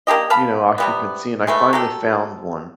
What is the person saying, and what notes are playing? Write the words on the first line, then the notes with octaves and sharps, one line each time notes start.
you know, occupancy, and I finally found one.
A#3 D4 G4 D#5
F5 A5 B5
C3 G3 B3
G#3 A3 B3
F#3 G4 A4